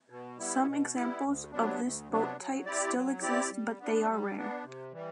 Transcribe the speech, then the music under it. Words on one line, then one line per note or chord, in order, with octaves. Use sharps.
Some examples of this boat type still exist but they are rare.
B2
G3 B3 E4
B2
G3 B3 E4
D2
C3 F#3 B3 D4
D2
C3 F#3 B3 D4
F#3
C4 E4 G4 D5
F#3
C4 E4 G4 D5
G3
B3 D4
G3
B3 D4
C3
E3 G3